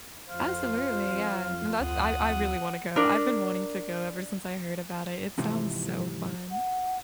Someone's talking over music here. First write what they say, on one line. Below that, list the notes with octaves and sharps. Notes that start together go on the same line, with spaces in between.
Absolutely, yeah, and that's I I really wanna go. I've been wanting to go ever since I heard about it. It sounds so fun.
F2 F4 C5 F5
D2 F#5 D#6
D4 A#4
F2 G#2 C3 E3
F#5